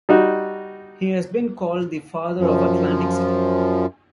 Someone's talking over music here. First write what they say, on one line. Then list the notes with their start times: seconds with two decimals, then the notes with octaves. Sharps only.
He has been called the "Father of Atlantic City".
0.09 G3 D#4 F#4
2.39 F#2 F3